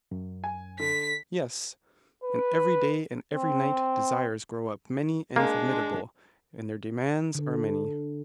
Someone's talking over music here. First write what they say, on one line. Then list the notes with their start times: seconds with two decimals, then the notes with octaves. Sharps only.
Yes; and every day and every night desires grow up many and formidable, and their demands are many.
0.11 F#2
0.44 G#5
0.80 D3 B6
2.24 B4
3.33 C4
5.36 G#3 A#3 D4
7.35 D3